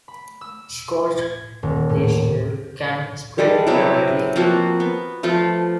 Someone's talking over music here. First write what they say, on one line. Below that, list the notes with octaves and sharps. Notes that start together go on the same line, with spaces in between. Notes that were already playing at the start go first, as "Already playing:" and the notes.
Scotch thistle can spread rapidly.
B5
E6
G#6
D#1
A2
G3 G#3 A4 D5
C3 F#3 B3 E4
F3 A#3 C4 F#4
B3
F3 A3 F4